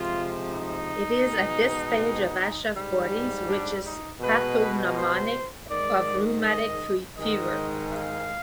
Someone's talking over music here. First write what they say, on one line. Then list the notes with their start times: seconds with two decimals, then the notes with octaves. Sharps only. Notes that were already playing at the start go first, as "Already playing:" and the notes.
It is at this stage of Aschoff bodies, which is pathognomonic of rheumatic fever.
Already playing: C3 F3 G#3 F4
0.52 D#4
1.26 B2 G#3
2.73 G#2 G3
3.47 D4
3.84 D#4
4.21 B2 G#3 B4
4.95 C5
5.68 G#2 D#3 G#3 D5
6.42 D#5
7.16 G#2 D#3 G#3 D#5
7.90 F5